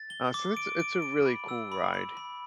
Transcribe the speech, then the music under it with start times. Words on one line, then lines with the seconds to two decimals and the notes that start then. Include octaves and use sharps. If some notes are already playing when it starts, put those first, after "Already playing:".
Uh, so, it's a it's a really cool ride.
Already playing: A6
0.10 G7
0.34 D6
0.57 D7
0.80 D7
1.02 D7
1.25 B5
1.48 E6
1.72 B5
1.94 B5
2.17 B5